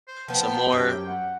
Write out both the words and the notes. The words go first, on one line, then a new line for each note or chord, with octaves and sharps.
so more m
C5
F3 B3 G5 A5
F#2 G4
F#5